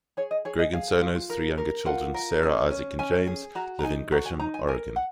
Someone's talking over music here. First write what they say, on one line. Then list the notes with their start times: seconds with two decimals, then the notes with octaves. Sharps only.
Gregg and Sono's three younger children Sarah, Isaac, and James live in Gresham, Oregon.
0.17 G#4 C#5
0.31 D#5
0.45 G#4 C#5
0.59 D#5
0.73 G#4 F5
1.01 F4
1.30 A#4
1.58 A#4
1.86 F4 F#5
2.14 A#4
2.43 C#4
2.71 C#4
2.99 C#4 G#5
3.27 G#4
3.55 F#4 A#5
3.79 A#5
3.84 D#4 G#5
4.12 F#4 A#5
4.26 G#5
4.40 D#4 A#5
4.54 G#5
4.68 A#4 G#5
4.96 F#5